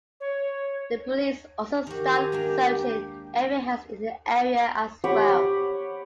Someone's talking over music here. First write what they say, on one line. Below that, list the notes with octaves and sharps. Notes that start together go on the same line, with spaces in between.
The police also start searching every house in the area as well.
C#5
D#3 F#4 G4
G#5 A#5
G#3 A#3 D4
G4 C#5 F#5 B5